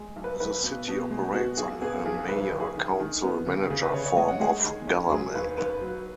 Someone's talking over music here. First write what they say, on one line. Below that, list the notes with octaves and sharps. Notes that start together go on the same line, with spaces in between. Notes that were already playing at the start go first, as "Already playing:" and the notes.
The City operates under a Mayor-Council-Manager form of government.
Already playing: G#3
B1
B4
B1 B4
B2
B2
G#3
B3 F#4
B1 G#4
B3 G#4
B1 G#4
F#1 B4
F#1
G#4
D#3
D#3
B3
C#3
C#3 G#4
B4
C#3 C#5
C#5
G#3 D#5
F#5
G#3 G#4
D#3
C#4
F#3 G#4
D#2 B4
D#2 B4
F#3